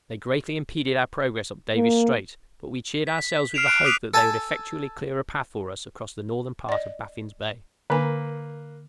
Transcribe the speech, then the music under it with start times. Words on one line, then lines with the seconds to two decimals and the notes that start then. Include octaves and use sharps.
They greatly impeded our progress up Davis' Strait, but we cheered ourselves with the hope that they would effectually clear a path for us across the northern part of Baffin's Bay.
1.76 A#3
3.07 B6
3.54 F6 C7 D7 E7 F7
3.67 F#6 D7
3.84 D6 D#6 F#6 B6 D#7 F7
4.14 A4 G#5 A5
6.69 D5 D#5
7.90 D3 A#3 B4 G#5